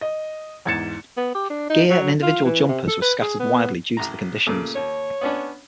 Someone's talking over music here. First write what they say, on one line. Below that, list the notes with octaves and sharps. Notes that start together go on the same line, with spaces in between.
Gear and individual jumpers were scattered widely due to the conditions.
D#5
E2 G#2 G#6 A6 C#7 E7
B3
G4
D4
D#4
F#3
F4
E3
C3
A4
B4
G#4
B3
A1 A#5
A#2 C#3 A3
D#2 C#5
B3 C#4 D4